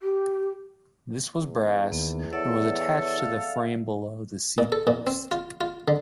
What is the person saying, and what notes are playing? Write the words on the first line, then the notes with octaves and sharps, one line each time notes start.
This was brass and was attached to the frame below the seat post.
G4
E2
D#2 D#3 A#3 B3
E4 A4 C#5 D5 E5 F#5
F5
A#2
A4
A#2
C4
F4
F4
D3